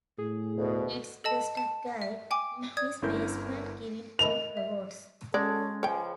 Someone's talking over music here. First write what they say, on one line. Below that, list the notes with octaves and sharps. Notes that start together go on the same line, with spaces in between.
It's just a guy in his basement giving out awards.
A2 G#4
D2 B2
A4 D#5 A5
A5
E5
G5 G#5 D6
D5 D#6 G#6
G1 D3 C#4 E4 A#4 G6
A#4 D#5 B5 F7
E5
G#3 C#4 F#4 A4 D5
C#2 C#3 F3 C#5 G5 G#5